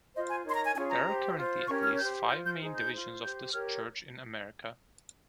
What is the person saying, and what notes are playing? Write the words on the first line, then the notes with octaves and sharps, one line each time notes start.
There are currently at least five main divisions of this church in America.
F4 C5 D#5
G#5
D#4 A#4 C#5 C6
A#5
G#5
C#4 F4 G#4 C#5 G#5
A#5
G4 C5
F4 C5
C#4 G4 A#4 C#5 C#6
F6
G4 C5 G6
F4 C5 G6
G6
D#4 G#4 C5
G6
F4 C5
G4 C5 G6
G4 A#4 C#5 F6